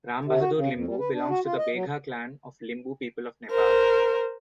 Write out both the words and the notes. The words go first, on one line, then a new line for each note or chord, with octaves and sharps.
Rambahadur Limbu belongs to the Begha Clan of Limbu people of Nepal.
C3
F#4
C#3
F2
G3
B4
D4
F#4
F4
D#5
F#3
A#4 C5